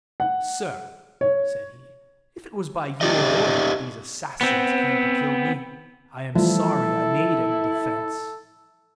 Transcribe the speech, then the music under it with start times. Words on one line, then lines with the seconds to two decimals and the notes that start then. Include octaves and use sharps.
"Sir," said he, "if it was by your order that these assassins came to kill me, I am sorry I made any defence."
0.20 F#5
1.21 C#5
3.01 D#4 F4 G4 D5 D#5
4.41 B3 C4
6.35 E3 F3 G3 A3 E4 A4